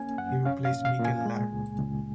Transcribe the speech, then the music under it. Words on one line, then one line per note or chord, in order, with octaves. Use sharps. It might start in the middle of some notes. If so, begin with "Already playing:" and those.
He replaced Mihkel Laar.
Already playing: A#3 C#4 G#5
F#2 F#5
C#4 F5
F5
A#2
F5
A#2
G#5
G#3
C#2
C#2